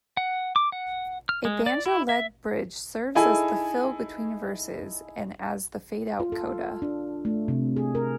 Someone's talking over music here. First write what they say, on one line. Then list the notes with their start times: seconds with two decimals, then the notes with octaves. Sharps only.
A banjo-led bridge serves as the fill between verses and as the fade-out coda.
0.17 F#5
0.56 D6
0.72 F#5
1.29 F6
1.45 G#3
1.66 D5
1.86 E4
2.09 E5
3.15 D#4 E4 G#4 A4 G#5
6.20 F4
6.32 A4
6.82 D4
7.25 A3
7.48 C3
7.77 G#4
7.95 A#4